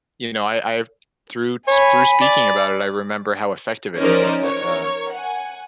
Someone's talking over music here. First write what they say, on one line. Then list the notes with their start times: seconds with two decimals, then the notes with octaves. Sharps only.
you know, I I've through s through speaking about it, I remember how effective it is at at uh,
1.67 C#5 G#5 B5
2.22 D5
3.98 F3 C#4 D#4 A#4 C5 D5
4.43 A#4 C#5
5.13 F#5 G#5